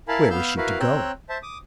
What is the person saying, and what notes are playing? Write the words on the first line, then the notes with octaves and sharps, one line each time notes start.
Where was she to go?
E4 A#4 F5 G#5 A5 B5
B3 F5 E6 F6 G6
E4 F#4 A#4 B4 F5 A#5
C4 C#5 G5 A#5 E6 F#6
C5 E5 A5
D6 D#6